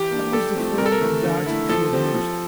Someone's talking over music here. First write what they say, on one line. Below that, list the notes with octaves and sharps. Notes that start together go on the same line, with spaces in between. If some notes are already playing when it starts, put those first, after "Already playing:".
That was the form of doubt he feared most.
Already playing: E3 G4
A#3 D4
G2 A4
F3 A3 C4
C3 A#4
A4
A#4
E3 A3
D3
A3 E4
F3 A4
C4 G4 C5
F3